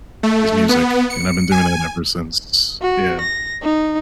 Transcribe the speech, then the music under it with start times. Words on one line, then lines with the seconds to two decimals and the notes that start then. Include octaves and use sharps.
is music, and I've been doing that ever since yeah.
0.23 A3
0.69 B3
1.10 C#7
1.52 G#5
2.82 F#4
3.20 A#6
3.62 D#4